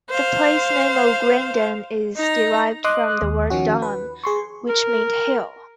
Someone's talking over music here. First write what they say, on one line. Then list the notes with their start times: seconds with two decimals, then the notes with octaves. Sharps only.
The place name of "Grindon" is derived from the word 'dun', which meant hill.
0.10 C5 F5
2.17 D#4 A#5
2.84 D#5 C6 D6 D#6 F#6
3.22 D#2
3.50 D#3 F3 C#4 F#4
3.82 B4
4.24 G#4 C6 C#6
4.69 A#4